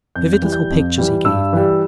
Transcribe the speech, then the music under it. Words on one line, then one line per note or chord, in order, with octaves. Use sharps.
Vivid little pictures he gave me.
F2 G6
G6
E3 G3
G6
F2
E3 G3
G2 E6
E3 G3